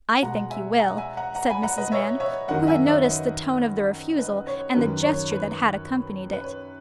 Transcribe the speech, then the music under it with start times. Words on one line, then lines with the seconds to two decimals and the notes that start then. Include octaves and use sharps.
'I think you will,' said Mrs. Mann, who had noticed the tone of the refusal, and the gesture that had accompanied it.
0.22 B2 G#3 F#5 A#5
0.50 E5 G#5
0.79 F#5 A#5
0.98 E5 G#5
1.17 F#5 A#5
1.35 F#5 A#5
1.50 G#5 B5
1.63 F#5 A#5
1.78 B4 D#5
1.92 C#5 E5
2.20 C#5 E5
2.48 F#2 D#3 F#3 D#5 F#5
2.67 E5 G#5
2.86 C#5 E5
3.05 B4 D#5
4.18 B4 D#5
4.47 C#5
4.74 F#2 D#3 F#3 B4
5.03 C#5
5.32 B4
6.33 B4
6.44 C#5